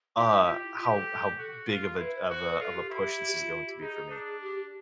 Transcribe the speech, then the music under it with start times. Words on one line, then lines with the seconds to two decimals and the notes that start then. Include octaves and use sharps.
uh, how how big of a j of a of a push this is going to be for me.
0.17 E4 G4
0.47 F4 G4
0.63 E4
0.77 F4 G4
0.93 A4
1.38 F#4
1.68 F4
1.99 E4 B4
2.14 C5
2.29 F#4 C5
2.44 B4
2.59 F4 A4
2.74 G4
2.90 E4 G4
3.21 G4
3.30 F#4
3.40 F4
3.51 F4
3.66 G4
3.81 D#4 G#4
3.96 G#4
4.11 D4
4.42 G4